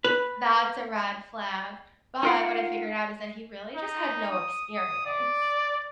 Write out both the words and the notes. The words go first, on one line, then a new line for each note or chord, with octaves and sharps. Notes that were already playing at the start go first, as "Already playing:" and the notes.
that's a red flag." But, what I figured out is that he really just had no experience.
B4
D#4 F4 A#4 C5 F5 F#5
D#4
D#6
D#6
D5